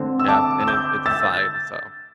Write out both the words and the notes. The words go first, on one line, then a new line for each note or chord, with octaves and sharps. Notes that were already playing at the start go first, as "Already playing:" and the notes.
yeah, and then it's a side, so
Already playing: D3 C4
E6
A5 D6
E6
D6 G6
E6 A6